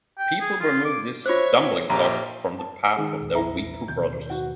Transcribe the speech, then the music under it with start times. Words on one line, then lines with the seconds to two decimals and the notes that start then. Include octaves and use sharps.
People remove this stumbling-block from the path of their weaker brothers.
0.18 G5
0.41 G#4
0.60 F4
0.85 D6
1.26 F4 C5 C#5 E5
1.90 A#1 G4 F5 A#5
2.59 A5
2.96 D#3 G#3
3.21 A#1 E2
3.35 E4 A#5
3.88 D#2 B2 G6
4.30 F#4 F#5